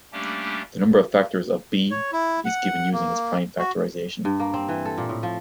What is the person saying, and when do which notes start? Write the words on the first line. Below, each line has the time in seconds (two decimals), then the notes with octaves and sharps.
The number of factors of "b" is given using its prime factorization.
0.13 G3 A3 A#3 C#4 D4 G4
1.91 C#5
2.12 E4
2.45 F#5
2.93 A#3
3.59 F#4
4.25 G2
4.40 A#3
4.54 C4
4.69 E3
4.85 A4
4.98 A#2
5.09 A2
5.23 F3